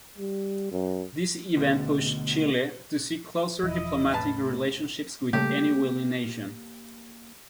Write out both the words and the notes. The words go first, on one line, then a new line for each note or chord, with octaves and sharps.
This event pushed Chile to seek closer diplomatic relationships with any willing nation.
G3
F#2
D2 B2
E1 E3 F3 E4 D#5
A2 B4 F5 A5
C#3 G3 A3 A#3 G4